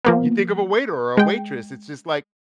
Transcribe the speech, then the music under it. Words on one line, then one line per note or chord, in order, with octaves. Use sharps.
you think of a waiter or a waitress, it's just, like
F3 A#3 B3
G#3 G5